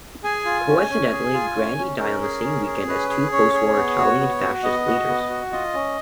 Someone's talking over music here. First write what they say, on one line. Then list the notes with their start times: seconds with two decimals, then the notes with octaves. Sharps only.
Coincidentally, Grandi died on the same weekend as two postwar Italian Fascist leaders.
0.23 G#4 G#5
0.45 F4
0.68 C#4
0.90 C#4
1.12 G#4
1.34 F4
1.55 C#4
1.77 C#4
1.99 C#4 A#4
2.22 G#4
2.44 C#4
2.66 G#4
2.88 C#4 B4
3.09 G#4
3.31 C#4 C#5
3.54 G#4
3.75 B3
3.98 F#4
4.20 B3
4.42 F#4
4.63 B3 D#5
4.86 F#4
5.07 B3
5.30 F#4
5.52 F4 D#5
5.74 C#4